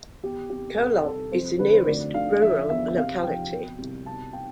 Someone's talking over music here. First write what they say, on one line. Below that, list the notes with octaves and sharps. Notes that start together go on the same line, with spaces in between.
Kolob is the nearest rural locality.
E2 G4
C3 G4
C2 A4
C2 A4
F2 C5
D3 B4
C5
D2 D5
D3 F5
F3 E5
E2 E5
C3 F5
F3 G5
B2
C2
B2 A5
G5